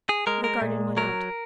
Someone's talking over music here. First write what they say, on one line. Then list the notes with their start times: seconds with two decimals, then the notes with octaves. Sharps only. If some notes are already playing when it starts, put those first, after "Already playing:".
The garden went out.
0.09 G#4
0.27 G#3 A#4
0.44 A#4
0.62 A#2
0.97 F#3 A#4